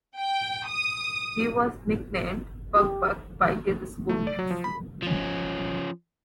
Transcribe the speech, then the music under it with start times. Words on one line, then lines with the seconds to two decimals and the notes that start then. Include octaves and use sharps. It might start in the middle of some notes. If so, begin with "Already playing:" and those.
He was nicknamed "Buck-Buck" by his schoolmates.
0.18 G5
0.67 D#6
2.77 G4
4.09 A3
4.27 D5
4.39 F#3
4.51 F3
4.64 B5
5.02 F3 C#4